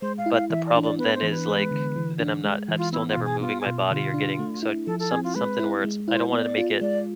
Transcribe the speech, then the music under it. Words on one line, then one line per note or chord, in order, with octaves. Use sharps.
but the problem then is, like, then I'm not I'm still never moving my body or getting so some something where it's I don't wanna make it,
G#3 C5
F5
E4
F5
E3 E5
D5
D4
D5
B3 B4
C5
E3
B4
G#3
D3
E3
D4
G#3
E3
F4
B3 E4
F4
B2
G#4
B3 F4
G#4
B2 F4
D3 F4
D4
A3
E4
F3 A4
A4
C4 G#4
F4
G#3 B4
E4
G#3
E4 C5
B3 D5
F4
G#3 D5